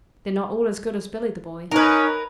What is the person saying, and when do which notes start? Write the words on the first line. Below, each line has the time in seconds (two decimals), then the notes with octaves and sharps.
They're not all as good as Billy the Boy.
1.71 C#4 D#4 A#4 B4